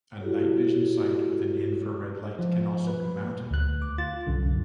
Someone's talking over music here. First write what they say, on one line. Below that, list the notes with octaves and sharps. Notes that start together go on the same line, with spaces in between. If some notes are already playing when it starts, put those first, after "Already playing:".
A night vision sight with an infra red light can also be mounted.
E4 F#4 G4 A4 C#5
F3
B4
D2 F#6
D6
F4 A6
C2 F#2 D3